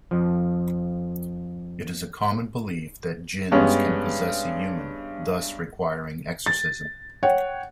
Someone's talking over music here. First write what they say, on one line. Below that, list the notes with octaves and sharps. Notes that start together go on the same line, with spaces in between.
It is a common belief that jinns can possess a human, thus requiring Exorcism.
F2 F3
G2 G#3 B3 C#4 G4
A6
C#5 F#5 G5